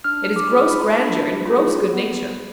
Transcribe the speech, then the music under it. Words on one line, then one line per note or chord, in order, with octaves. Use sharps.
It is gross grandeur and gross good-nature.
D4 F6
D6
F4 G#4
B5
D4
F4 G#4
B3